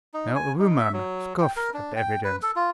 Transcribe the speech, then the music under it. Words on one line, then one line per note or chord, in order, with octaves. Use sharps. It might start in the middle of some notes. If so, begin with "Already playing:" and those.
Now, a woman scoffs at evidence.
D#4
G#5
D#4
E5
F#3
G5
A#4
D4
G5
B4
A4
F4